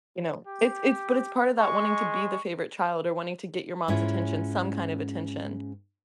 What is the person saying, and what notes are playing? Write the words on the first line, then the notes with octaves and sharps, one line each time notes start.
you know. It's it's but it's part of that wanting to be the favorite child or wanting to get your mom's attention, some kind of attention,
G4
G#3 C#6
G#2 C#4 E4 F4 C#5